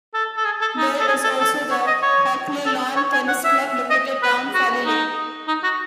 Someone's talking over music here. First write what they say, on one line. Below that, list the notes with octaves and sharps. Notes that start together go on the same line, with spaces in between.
There is also the Hockley Lawn Tennis club, located down Folly Lane.
A4
A4
G#4
A4
D#4
A4
G#4
A4
A4
C#5
D#5
C#5
A4
C#5
G#5
F#5
E5
D#5
B4
F#4
D#4
D#4
F#4